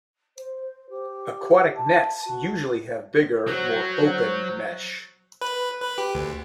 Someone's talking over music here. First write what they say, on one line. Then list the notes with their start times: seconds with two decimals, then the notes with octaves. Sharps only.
Aquatic nets usually have bigger, more 'open' mesh.
0.37 C5
0.89 G4
1.76 A5
2.25 F#4
3.48 F#3 F#4 C5
5.41 B4
5.82 B4
5.98 G4
6.15 D2